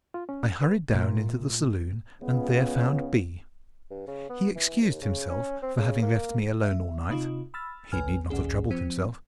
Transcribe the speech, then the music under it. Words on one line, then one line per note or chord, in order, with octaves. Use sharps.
I hurried down into the saloon and there found B. He excused himself for having left me alone all night--he need not have troubled himself.
F4
C#4
B4
A#2 A3
C#2 C#3 B3
G2
C#3
B3
E3
D#2
C#3
C#4
C4
C#3
A#3
E5
C3 D#4 F4
B5 E6 F6 A6
A#1 B4 G#5 F6
A#1 D#2 C#4 G#4
F3 C4